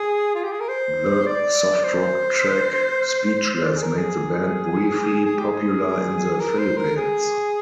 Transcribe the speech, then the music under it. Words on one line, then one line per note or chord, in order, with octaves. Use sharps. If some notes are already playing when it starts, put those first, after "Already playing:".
The soft rock track "Speechless" made the band briefly popular in the Philippines.
Already playing: G#4
F4
G4
G#4
A#4
C5
D5
C5
C5
D5
C5
G#4
A#4
G#4
G#4
G4
G#4
A#4
C5
A#4
G#4